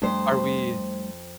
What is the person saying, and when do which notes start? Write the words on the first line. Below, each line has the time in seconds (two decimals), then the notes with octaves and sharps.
are we
0.02 F2 G3 A3 D4 C5